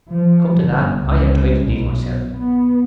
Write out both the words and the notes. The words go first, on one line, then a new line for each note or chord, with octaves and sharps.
Come to that, I have title-deeds myself.
F3
G1
C#2
B1
B3